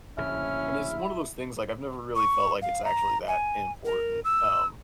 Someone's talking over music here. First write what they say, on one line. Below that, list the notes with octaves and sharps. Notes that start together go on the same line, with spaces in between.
And it's one of those things, like, I've never really felt like it's actually that important, um,
D1 A#1 C#3 C#4 E4 F6
C#6
F5
A#5
G#5
A#4
E6